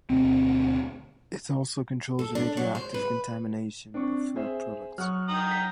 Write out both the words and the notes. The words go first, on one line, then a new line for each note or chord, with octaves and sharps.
It also controls radioactive contamination of food products.
D2 B2 C4
A4
D4
F#3
C5
B4
C4 D4 C#6
G#4 C5 E5
F#3 C#6 D#6 F6 F#6
G5 A#5 D#6 F#7
B6